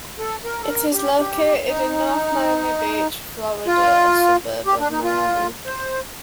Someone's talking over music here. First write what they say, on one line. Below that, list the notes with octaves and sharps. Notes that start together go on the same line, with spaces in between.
It is located in North Miami Beach, Florida, a suburb of Miami.
A4
A#4
A4
A#4
G4
G4
D#4
F4
G4
D4
D#4
F4
C5